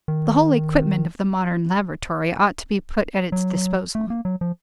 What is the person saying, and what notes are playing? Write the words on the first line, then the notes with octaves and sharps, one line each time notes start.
The whole equipment of the modern laboratory ought to be put at its disposal.
D#3
F#3
A3
A#3
F#3
F3